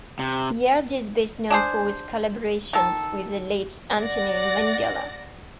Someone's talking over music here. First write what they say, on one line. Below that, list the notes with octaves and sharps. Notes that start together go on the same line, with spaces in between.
Yared is best known for his collaborations with the late Anthony Minghella.
C3
D4 G#4 C5
D#3 A4
D5 F#5 A#6